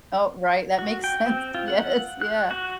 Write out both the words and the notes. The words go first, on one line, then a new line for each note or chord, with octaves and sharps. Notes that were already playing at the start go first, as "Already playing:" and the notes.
Oh, right, that makes sense, yes, yeah.
F#4
G5
C4
F4
F#5
F#6
F#4